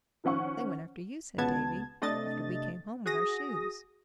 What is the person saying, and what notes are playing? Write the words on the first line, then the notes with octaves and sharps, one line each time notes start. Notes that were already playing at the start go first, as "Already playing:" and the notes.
"They went after you," said Davie, "after we came home with our shoes."
D#3 F3 C#4 F#5 C#6
C#2 B2 B3 A5 G#6
C3 A3 D4 D#5 A6
F#4 G#4 D#6 A#6